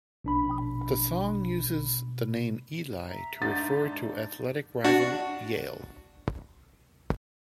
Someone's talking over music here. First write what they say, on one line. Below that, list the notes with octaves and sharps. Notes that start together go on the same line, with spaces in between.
The song uses the name "Eli" to refer to athletic rival Yale.
A#1 B2 D4 B5
E5 A#5
G#2 D4 A6
D4 F#4